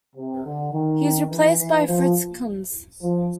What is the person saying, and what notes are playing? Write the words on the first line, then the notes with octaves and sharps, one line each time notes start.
He is replaced by Fritz Kunz.
C3
D3
D#3
E3
E3
F3
F3